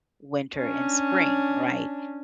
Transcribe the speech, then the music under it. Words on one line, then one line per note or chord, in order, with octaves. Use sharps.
winter and spring, right?
C#4 D4